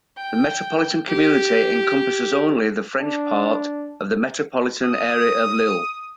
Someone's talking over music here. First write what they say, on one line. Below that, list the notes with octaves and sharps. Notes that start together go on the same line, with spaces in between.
The Metropolitan community encompasses only the French part of the metropolitan area of Lille.
G5
G4
D4
D#6